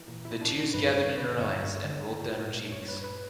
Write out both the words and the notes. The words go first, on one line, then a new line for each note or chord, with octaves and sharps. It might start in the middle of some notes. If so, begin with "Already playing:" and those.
The tears gathered in her eyes and rolled down her cheeks.
Already playing: E3
A#2
E4
A#2
D4
A#2
D4
G2 B4
G2 C#5
D3 B4
G2 C#5
G2
D3
A#2
A#2
A#2
G2 C#5
B4
G2
B4